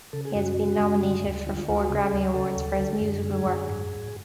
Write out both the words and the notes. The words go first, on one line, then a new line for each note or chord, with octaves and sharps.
He has been nominated for four Grammy Awards for his musical work.
C#3 A4
G#4
F#2 F#4
F#4
C#3
F#2
D3
D2
D3 F4
F4
D2 F4
F#4
C#3 G#4
D2
C#3 A4
D2
D3
F#2
D3 G#4
F#2
G#2
G#2